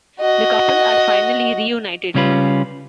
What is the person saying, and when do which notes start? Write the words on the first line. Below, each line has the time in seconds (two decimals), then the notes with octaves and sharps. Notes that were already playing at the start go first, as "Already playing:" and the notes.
The couple are finally reunited.
0.21 F#4 D#5
2.15 C#3 G3 C#4 F4 B4